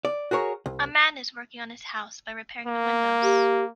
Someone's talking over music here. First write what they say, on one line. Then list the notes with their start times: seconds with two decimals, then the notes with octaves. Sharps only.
A man is working on his house by repairing the windows.
0.05 D5
0.31 F#4 G#4 A#4 C#5
0.66 C2
2.66 A#3
3.22 G4